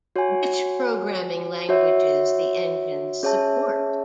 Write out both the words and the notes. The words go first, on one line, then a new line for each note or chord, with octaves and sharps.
Which programming languages the engines support.
F#4 C#5 G#5
F#4 C#5 E5
C#4 G#4 C#5 E5 A5